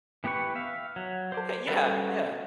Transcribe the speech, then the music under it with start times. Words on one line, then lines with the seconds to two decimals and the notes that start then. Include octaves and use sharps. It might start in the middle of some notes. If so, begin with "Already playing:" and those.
Okay, yeah, yeah.
0.24 E3 B3 G4 B4 C#6
0.55 E5 F5
0.96 F#3
1.32 C5 D5
1.67 G3 C#4 F#4 A4 B4